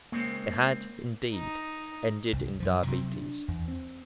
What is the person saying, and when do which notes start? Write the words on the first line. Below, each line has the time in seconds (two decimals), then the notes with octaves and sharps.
It had, indeed, ended in diabetes.
0.12 C#3 G#3 A#3 C4
1.33 D#4
2.33 C2 G2
2.60 F#2 F3
2.88 C3 F#3 G3 C4
3.14 D4
3.48 E2
3.68 C4